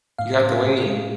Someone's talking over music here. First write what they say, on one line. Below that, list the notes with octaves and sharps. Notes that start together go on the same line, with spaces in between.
You got the way.
A2 F5
C#4
A2
G#3